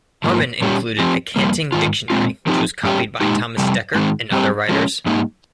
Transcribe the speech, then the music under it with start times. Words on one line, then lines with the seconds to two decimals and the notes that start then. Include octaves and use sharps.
Harman included a canting dictionary which was copied by Thomas Dekker and other writers.
0.24 G#2 F3 A#3
0.62 A#2 G3 C#4 G4
0.99 F3 C4 G4
1.36 F2 C3 G3 A#3
1.72 G#2 D#3 F4
2.10 A#2 G#3 C4 F4
2.47 F3 C4 D#4 G4
2.84 G2 G3 C#4 G4
3.21 A#2 G#3 D#4 G4
3.58 F2 C3 G3
3.95 G#2 D#3 G#3 C4
4.32 G2 G3 C4 G4
4.69 F3 G#3 C#4
5.06 G#2 G3 A#3 D#4